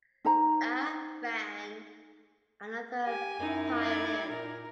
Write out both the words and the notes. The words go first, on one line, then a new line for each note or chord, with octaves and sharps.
A. Rand, another pioneer.
D#4 C5 A#5
G4 G#5
F#2 D#4 E4
D5 G#6
A#2 A#4